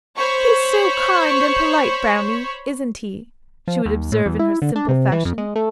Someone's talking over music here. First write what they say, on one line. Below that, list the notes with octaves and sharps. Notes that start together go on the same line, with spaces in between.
'He's so kind and polite, Brownie, isn't he?' she would observe in her simple fashion.
C5 C#5 B5 C#6
F3
D#2
A2
E2
E4
D3
D4
C3
E3
F2
G#3
A3